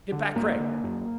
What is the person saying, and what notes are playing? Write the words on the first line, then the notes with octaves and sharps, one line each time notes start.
Get back, Gregg!
D3
G2 A#3
D3
F#2